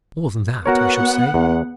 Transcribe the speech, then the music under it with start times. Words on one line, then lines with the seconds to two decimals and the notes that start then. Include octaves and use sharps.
More than that, I should say.
0.66 B3 F#4 A#4 C#5 F#5
1.34 E2